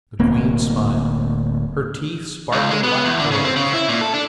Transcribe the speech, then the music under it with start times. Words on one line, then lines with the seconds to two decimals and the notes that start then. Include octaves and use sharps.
The queen smiled--her teeth sparkled like pearls.
0.19 D1 A#3 C4
2.53 C#2
2.71 G#3
2.83 B3
3.05 E2
3.19 D3
3.31 C#3
3.44 C4
3.56 C#3
3.74 E4
3.89 A#2
4.01 A4
4.14 D4